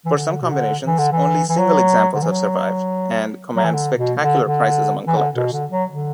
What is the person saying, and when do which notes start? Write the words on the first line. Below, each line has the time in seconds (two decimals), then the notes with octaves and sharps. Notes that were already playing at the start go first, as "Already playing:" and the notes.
For some combinations, only single examples have survived, and command spectacular prices among collectors.
0.05 E3
0.14 D3
0.42 B2
0.50 D3
0.86 E3
0.98 D3
1.12 E3
1.49 E3
1.58 F#3
2.15 D3
2.22 E3
2.30 F#3
3.56 F#3
3.64 E3
3.73 D3
3.97 B2
4.21 D3
4.45 D3
5.07 E3
5.16 D3
5.35 B2
5.52 D3
5.71 F#3
5.89 D3